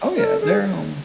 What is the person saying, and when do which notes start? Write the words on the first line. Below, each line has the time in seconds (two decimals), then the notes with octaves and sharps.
Oh, yeah, they're, um,
0.16 A#4
0.25 A4
0.41 G#4